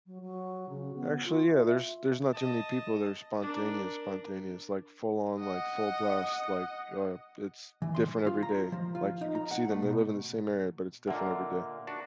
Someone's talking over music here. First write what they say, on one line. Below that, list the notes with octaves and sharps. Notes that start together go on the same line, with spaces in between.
Actually, yeah, there's there's not too many people that are spontaneous, spontaneous, like, full on, like, full blast, like, uh, it's different every day, like, you could see them, they live in the same area, but it's different every day.
F#3
F#3
C#3
B3
F4
E5
D#5 A5
D4 A#4
D#5 F#5
E3
C6
F4
A#5
F3
F4
D#4
A#5
F#5
A3
B2
A#2 D3 A#3 D#5 E5 F#5
D4 F#4